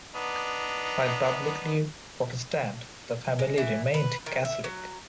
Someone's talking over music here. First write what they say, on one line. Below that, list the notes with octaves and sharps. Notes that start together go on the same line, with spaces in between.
While publicly Protestant, the family remained Catholic.
B3 D4 D#4
G#3
E3
B4
D#3
E5
F#3